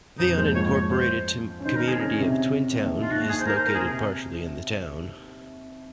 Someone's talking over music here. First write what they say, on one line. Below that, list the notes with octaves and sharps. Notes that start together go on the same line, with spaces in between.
The unincorporated community of Twin Town is located partially in the town.
F2 F3 D#4
A#3
G#2 G#3 C5
F3 F4 C#5
C#5
C5
C#4
D#3 D#4 C5
A#4
C4 G#4
C#3 C#4 A#4
C3 C4
D#2 D#3
F4
D#2 D#3 F#4
G#4
C5
A#4
C5
A#4
G#4
C3